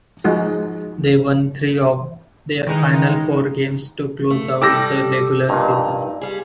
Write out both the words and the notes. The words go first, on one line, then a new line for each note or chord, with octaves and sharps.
They won three of their final four games to close out the regular season.
F3 G#3 D#4 F#4 G#4
D#3 E3 G#3 D#4
A3
G3 G4 A4 D6 E6 A#6
G2 A#2 D#4
G3 G#4